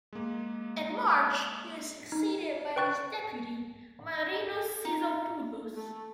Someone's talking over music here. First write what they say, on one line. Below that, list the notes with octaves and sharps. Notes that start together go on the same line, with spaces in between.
In March he was succeeded by his deputy Marinos Sizopoulos.
G#3 A#3
D#4
B4 G5 C#6 F#6 A6
D#4
A3